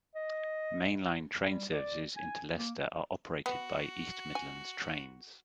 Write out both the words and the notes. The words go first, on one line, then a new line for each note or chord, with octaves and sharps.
Main line train services into Leicester are operated by East Midlands Trains.
D#5
G3
D5
G#5
A#3
B3 F#4
G#5